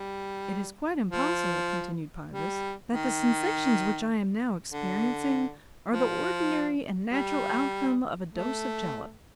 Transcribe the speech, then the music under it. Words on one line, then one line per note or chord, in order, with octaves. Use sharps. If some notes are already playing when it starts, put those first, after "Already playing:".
"It is quite impossible," continued Pybus, "that the sensations which I am now experiencing are the ordinary and natural outcome of a dose of jalap."
Already playing: G3
F3
G3
D#3
D3
F3
G3
A3